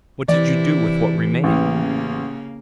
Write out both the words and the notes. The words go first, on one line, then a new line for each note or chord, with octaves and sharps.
"What did you do with what remained?"
C3 E3 E4 D5
A1 C#3 A#3